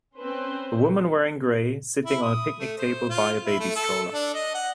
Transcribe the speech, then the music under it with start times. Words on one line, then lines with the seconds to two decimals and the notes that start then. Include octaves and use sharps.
A woman wearing gray, sitting on a picnic table by a baby stroller.
0.16 C4 C#4 B4 C5
2.05 E4
2.22 D#6
2.59 A3
2.78 C5
3.09 F4
3.46 E4
3.60 A3
3.76 A4
4.13 D4
4.34 D#5
4.54 F#5